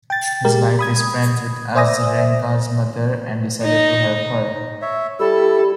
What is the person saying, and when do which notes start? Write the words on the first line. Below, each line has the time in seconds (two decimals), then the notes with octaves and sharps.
His wife is friends with Azarenka's mother and decided to help her.
0.10 G5 A6
0.45 G#3 G4 A#4
0.79 B5 D#6 G#6
1.75 C5 D5 E5 G#5 D#6 A#6
3.63 D#4
4.82 C#5 E5
5.20 G3 E4 G4 A4 E6